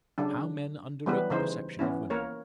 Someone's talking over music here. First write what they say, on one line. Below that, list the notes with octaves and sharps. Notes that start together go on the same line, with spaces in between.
How men underrate the perception of women!
C#3 F#3 D4
E3 F#3 G3 B3 G4 B4
C#3 E3 D#4 C5
E3 B3 C#4 E4
A#3 A#4 C#5